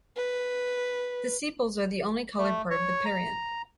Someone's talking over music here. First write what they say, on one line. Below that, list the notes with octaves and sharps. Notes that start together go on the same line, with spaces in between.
The sepals are the only colored part of the perianth.
B4
A3
C#5
A#5